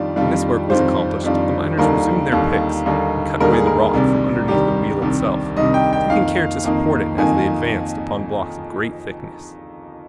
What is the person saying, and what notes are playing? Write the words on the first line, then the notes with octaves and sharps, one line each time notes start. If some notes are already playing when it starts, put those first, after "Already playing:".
When this work was accomplished, the miners resumed their picks and cut away the rock from underneath the wheel itself, taking care to support it as they advanced upon blocks of great thickness.
Already playing: F2 D#3 G3 D4 F4 D5
F2 D#3 G3 D4 F4
F2 D#3 G3 D4 F4 C5
F2 D#3 G3 D4 F4
D#2 D3 G3 A#3 D#4 A#4
D#2 D3 G3 A#3 D#4
D#2 D3 G3 A#3 D#4
D#2 D3 G3 A#3 D#4 A#4
G#4
A#4
C2 C3 D#3 G3 D4
C2 C3 D#3 G3 D4 G4
C2 C3 D#3 G3 D4
C2 C3 D#3 G3 D4 D#5
G5
G5
F2 D#3 A#3 D#4 F5
F2 D#3 A#3 D#4
F2 D#3 A#3 D#4 G#5